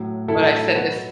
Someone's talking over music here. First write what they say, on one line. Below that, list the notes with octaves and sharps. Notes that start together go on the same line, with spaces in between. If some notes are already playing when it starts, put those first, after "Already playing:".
But I said this
Already playing: A2 F#3
A2 F#3 E4 A4
B2 F#3 F#4 B4